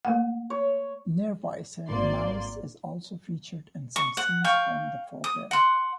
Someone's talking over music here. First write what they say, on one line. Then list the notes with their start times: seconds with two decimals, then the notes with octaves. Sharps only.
Nearby Saint Mawes is also featured in some scenes from the programme.
0.05 A3 A#3 F#5
0.50 C#5
1.87 G#1 A#3 D5 C6
3.96 C#6
4.17 F#5
4.44 F5 G5 C#6
5.24 D#6
5.51 F#5 C6